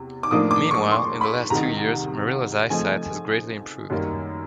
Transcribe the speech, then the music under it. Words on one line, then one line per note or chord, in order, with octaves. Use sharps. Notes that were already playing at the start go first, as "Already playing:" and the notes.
Meanwhile, in the last two years, Marilla's eyesight has greatly improved.
Already playing: E2 C3
D6
A2 F3 A#3 D4 D#6
D6
C#6
C6
B5
C2 C3 D#3 A#5
C#3 F3 A3 C4 D#4 G#5
F#2 D#3 G3 A#3